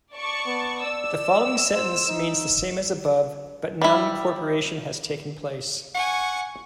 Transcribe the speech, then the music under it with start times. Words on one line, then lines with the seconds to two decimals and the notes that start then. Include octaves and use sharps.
The following sentence means the same as above, but noun incorporation has taken place.
0.15 D5 A5 C#6
0.46 B3
0.86 D5 E6
1.75 C5
2.08 D#4
3.82 G3 E4
5.95 F#5 G#5 C#6